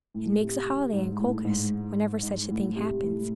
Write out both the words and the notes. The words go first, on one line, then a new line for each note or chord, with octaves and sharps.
It makes a holiday in Colchis whenever such a thing happens.
A2
C3
G#2
A2
G#2
G#2
A2
C3
A2